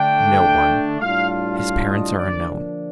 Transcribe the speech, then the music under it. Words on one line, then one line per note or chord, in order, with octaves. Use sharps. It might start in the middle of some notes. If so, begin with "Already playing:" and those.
"No one; his parents are unknown."
Already playing: D3 A3 D4 G5
A2 G3 D4 F4 F5
F5
F5
D#5
D3 F3 A#3 D4 D5